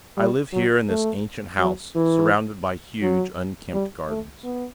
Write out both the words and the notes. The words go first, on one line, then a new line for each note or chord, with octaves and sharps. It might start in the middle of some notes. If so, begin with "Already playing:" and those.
I live here in this ancient house, surrounded by huge, unkempt gardens.
G3
F#3
A3
F#3
E3
F#3
G3
A3
B3